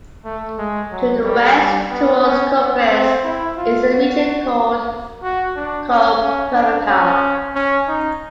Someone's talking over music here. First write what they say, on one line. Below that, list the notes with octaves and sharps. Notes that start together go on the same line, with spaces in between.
To the west towards Kupres is a region called Koprivica.
A3
G#3
F#3
G3
B3
C#4
B3
C4
E4
F4
F#4
F#4
D4
C#4
C#4
D4
C#4
C#4
D#4